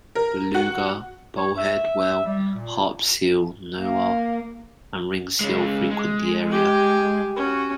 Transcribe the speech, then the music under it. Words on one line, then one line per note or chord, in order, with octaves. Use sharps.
Beluga, bowhead whale, harp seal, narwhal, and ringed seal frequent the area.
A#4
F#4
C#5
E5
G3
A#2
A#3
G#3 C#4
G#3
G4 G#5
C#4 F#4